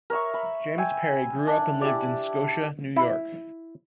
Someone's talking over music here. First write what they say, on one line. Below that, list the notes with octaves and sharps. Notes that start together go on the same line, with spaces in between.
James Parry grew up and lived in Scotia, New York.
A#4 C#5 E5 C#6
B5
G5 G#5 E6
D4
E4 G4 D5
E4